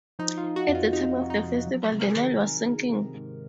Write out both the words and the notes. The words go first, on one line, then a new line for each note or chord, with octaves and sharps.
At the time of the festival, the Nile was sinking.
F3 D#4
F4
F3
F#4
F2
F4
C3 D#4
C3
D#4
F3
F#3
C3
A#4
G#4
D#3
D#3 A#4
D#3
C3
G#2